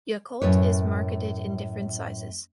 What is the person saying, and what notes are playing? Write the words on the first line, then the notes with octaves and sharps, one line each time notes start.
Yakult is marketed in different sizes.
F#2 A2 B4 C#5